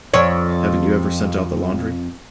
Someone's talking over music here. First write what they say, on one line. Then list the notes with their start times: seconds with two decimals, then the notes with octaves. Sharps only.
Haven't you ever sent out the laundry?
0.14 F2 C#5